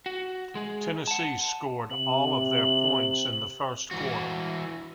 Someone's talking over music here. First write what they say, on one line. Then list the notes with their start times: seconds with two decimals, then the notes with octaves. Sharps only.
Tennessee scored all of their points in the first quarter.
0.06 F#4
0.55 G#3 G#4
1.07 F#5 A5
1.91 C3 F#7
3.91 E3 F#4